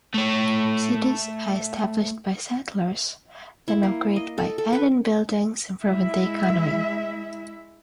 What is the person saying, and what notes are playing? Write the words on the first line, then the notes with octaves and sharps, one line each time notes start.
Cities are established by settlers, then upgraded by adding buildings improving the economy.
A3 C#5
E4
A#3
D#5
A4
A4
B4
G#3 E4 E5